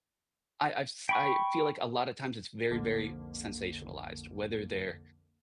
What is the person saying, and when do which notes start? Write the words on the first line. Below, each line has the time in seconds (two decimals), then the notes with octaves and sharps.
I I've s I feel like a lot of times it's very, very sensationalized, whether they're
1.09 G5 B5 C#6
2.70 B1 F2 D3 F3 A#3